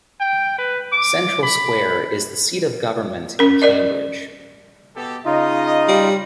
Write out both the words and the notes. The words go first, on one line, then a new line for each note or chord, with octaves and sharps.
Central Square is the seat of government in Cambridge.
G5
B4
D6
B5
C#4 A#4
A#4 D5 D#5
B2 G4 A4
C#3 D#4 F4 D#5
G3